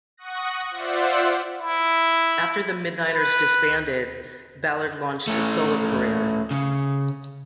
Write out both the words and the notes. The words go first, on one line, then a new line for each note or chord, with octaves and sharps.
After the Midnighters disbanded, Ballard launched a solo career.
F#5 C#6 D#6 F#6 A#6
F4 C5 D5 E5 F#5
E4
B4
A3 C#4
C#3